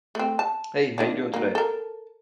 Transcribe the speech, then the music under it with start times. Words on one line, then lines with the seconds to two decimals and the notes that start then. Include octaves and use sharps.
Hey, how you doing today?
0.15 A3 C4
0.39 A5
0.98 D#3 F3 D4
1.34 F#3 A#3
1.55 A4 A#4